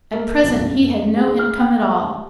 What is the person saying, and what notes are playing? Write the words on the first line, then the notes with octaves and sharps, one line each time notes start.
At present he had no income at all.
A#3
B1
F#2
F#2
G#4
F6
G5
E5
G4